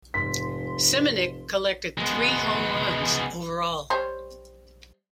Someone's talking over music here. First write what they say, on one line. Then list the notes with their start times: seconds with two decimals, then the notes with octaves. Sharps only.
Seminick collected three home runs overall.
0.14 F1 G#2 C6 B6
1.98 G#3 B3
3.90 G3 C5 C#5